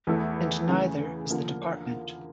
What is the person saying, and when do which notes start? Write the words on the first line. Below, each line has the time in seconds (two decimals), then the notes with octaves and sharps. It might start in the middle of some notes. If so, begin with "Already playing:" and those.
And neither is the department.
0.07 E2 E3 A3 E4 A4
0.69 C#3 E3 A3
1.30 D3 F3 A#3